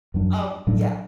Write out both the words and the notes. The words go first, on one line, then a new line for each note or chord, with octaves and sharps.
um Yeah,
F#2 F#3 D4
A2 F#3 D4